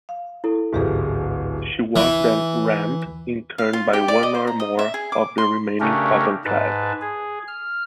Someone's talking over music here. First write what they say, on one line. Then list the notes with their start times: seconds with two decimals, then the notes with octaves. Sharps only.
She was then rammed in turn by one or more of the remaining cottonclads.
0.09 F5
0.44 E4 A4
0.73 D1 A1 G#2 G4 G#4
1.96 E3
3.58 F5
3.73 F4
3.93 G4
4.08 D5
4.23 D#5
4.35 C5
4.47 A#5
4.60 D#5
4.79 E5
4.94 G#4
5.12 D6
5.38 C6
5.80 C#3 A3 C#4 D4 G4 A#4
6.45 G#2 B4 A5
7.02 G#4
7.48 F6